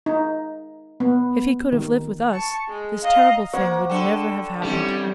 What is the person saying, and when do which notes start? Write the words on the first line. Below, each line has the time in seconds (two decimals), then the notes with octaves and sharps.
If he could have lived with us, this terrible thing would never have happened.
0.06 D#4
1.00 B3
1.72 D#3
2.30 A5 C#6
2.69 G#3
3.03 D#5 F5 A#5
3.53 A#3 C5 F#5 C#6
3.90 D3 A4 G5 C#6
4.63 D#3 G3 C4 C#4 E4 G4 A4